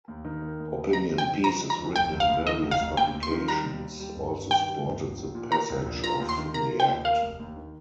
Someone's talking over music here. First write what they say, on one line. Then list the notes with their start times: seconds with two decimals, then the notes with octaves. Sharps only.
Opinion pieces written in various publications also supported the passage of the Act.
0.08 D#2
0.25 D#3
0.42 A#3
0.60 D#2
0.76 D#2
0.93 D#4 A#5
1.10 F2
1.18 G5
1.28 C3
1.44 F3 A#5
1.61 D#4
1.70 A#5
1.78 F2
1.96 F1 G5
2.13 F1
2.20 F5
2.30 D#2
2.47 D#3 D#5
2.63 F1
2.71 F5
2.81 F1
2.97 D#2 G5
3.15 D#2
3.23 C6
3.31 D#3
3.48 G3 A#5
3.65 D#2
3.83 D#2
4.00 G3
4.16 G1
4.33 G2
4.51 D#3 G5
4.68 G3
4.84 G1
5.01 A#1
5.18 A#1
5.35 A#2
5.52 A#3 A#5
5.70 A#1
5.86 A#1
6.03 F4 A#5
6.20 D#2
6.29 C6
6.38 D#3
6.54 A#3 A#5
6.71 F4
6.80 G5
6.88 D#2
7.05 A#3 F5
7.22 F1
7.40 D#2
7.56 D#3